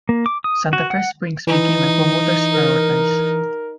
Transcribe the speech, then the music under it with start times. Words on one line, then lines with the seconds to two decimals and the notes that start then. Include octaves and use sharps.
Santa Fe Springs became a promoters' paradise.
0.09 A#3
0.26 D6
0.44 D#6
0.73 F#4
0.90 F#5
1.47 E3 D#4
2.53 A#4